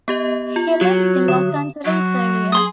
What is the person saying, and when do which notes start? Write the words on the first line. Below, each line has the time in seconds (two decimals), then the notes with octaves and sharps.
He lives in the Los Angeles area.
0.08 B3 G4 D#5
0.56 F4
0.81 F#3
1.28 D3 D#6 E7
1.85 F#3 F#4
2.52 G#4 C6 D#6